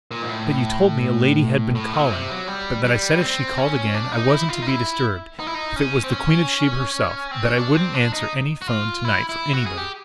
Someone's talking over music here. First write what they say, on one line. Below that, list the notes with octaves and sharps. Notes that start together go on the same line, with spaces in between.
That you told me a lady had been calling, but that I said if she called again I wasn't to be disturbed if it was the Queen of Sheba herself--that I wouldn't answer any 'phone to-night for anybody.
A#2
G#2
A2
A2
A#2
C3
F#3
G3
G3
C4
C#4
D4
D#4
E4
F4
D#4
E4
D#4
E4
D#4
C#4
C4
C#4
C4
C#4
D4
C4
D4
D#4
F#4
F4
E4
E4
F#4
G#4
G4